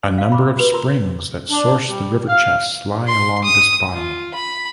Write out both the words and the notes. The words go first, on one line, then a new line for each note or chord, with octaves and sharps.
A number of springs that source the River Chess lie along this bottom.
F5
B5 D6
F#4 B4
F4 A#4 A#5 C6 E6
D4
G3
F5
C6
D#6
F4
B5